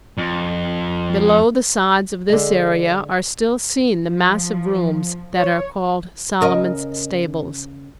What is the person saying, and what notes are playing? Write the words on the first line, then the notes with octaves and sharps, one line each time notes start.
Below the sides of this area are still seen the massive rooms that are called Solomon's stables.
F2
D3 G#3
F3
C#5
C#3 A#4 D#5